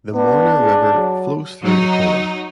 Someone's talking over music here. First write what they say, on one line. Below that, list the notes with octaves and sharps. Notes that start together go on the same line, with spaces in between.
The Morna River flows through Akola.
B3 D4
G#4
F#3
F#3 D#4